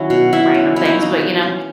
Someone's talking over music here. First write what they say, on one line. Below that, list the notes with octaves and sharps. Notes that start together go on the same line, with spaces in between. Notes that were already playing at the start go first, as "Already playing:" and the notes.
random things, but, you know,
Already playing: D#3 F#3 C#4 E4
B2
B2 E4
C#4
A#3 E4
D#4
E3 D#4
E3
C#4